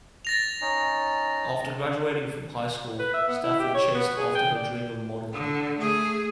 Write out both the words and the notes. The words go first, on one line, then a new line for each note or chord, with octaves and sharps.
After graduating from high school, Stafford chased after her dream of modeling.
A6 A#6 F7
C#4 D#4
B4
E5
B3
E4
G4
C#5
B3
G#4
G5
D5
D3
A3 G#4